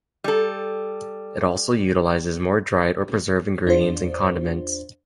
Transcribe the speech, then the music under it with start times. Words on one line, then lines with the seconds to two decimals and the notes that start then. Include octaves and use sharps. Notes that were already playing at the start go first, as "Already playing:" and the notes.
It also utilises more dried or preserved ingredients and condiments.
0.24 G3 A4
3.65 E2 D4 F4 C5